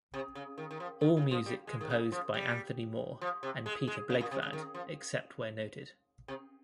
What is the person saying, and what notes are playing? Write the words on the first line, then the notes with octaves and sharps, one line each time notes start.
All music composed by Anthony Moore and Peter Blegvad, except where noted.
C3
C#3
D#3
D#3
F3
D#3
C#3
F3
G3
G#3
D#3
C#3
F3
G3
F3
C3
G#3
G#3
C#3
A#2
C3
C#3
D#3
F3
C3